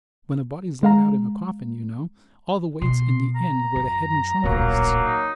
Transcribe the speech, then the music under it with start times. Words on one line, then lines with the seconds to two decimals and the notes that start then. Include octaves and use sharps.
When a body's laid out in a coffin, you know, all the weight's in the end where the head and trunk rest.
0.83 G#3 F5 A#5
2.82 B2 C6
3.36 A#5
3.76 F#2
4.43 D1 A#1 F#3 A#3
5.05 D#4